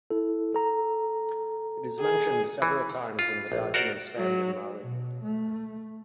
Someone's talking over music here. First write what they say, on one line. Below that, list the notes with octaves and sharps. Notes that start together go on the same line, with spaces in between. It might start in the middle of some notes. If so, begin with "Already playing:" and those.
It is mentioned several times in the documents found in Mari.
E4 A4
A4 A#5
G#4
E3
F4
A#1
F#4 A#4 C5 D5
F#3
B2
A3